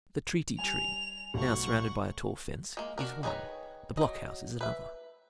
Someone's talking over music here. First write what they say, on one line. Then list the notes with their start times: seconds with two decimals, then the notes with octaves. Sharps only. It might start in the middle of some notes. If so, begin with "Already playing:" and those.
The Treaty Tree, now surrounded by a tall fence, is one, the block-house is another.
0.59 G3 G#5 F7
1.34 B1 A3 F#5 C#6
2.77 G#3 A#3
2.98 D4 F#4 A#4
3.23 D#3 G#4 B4 C#5 A#5
3.97 F#3 D#5
4.61 B4 E5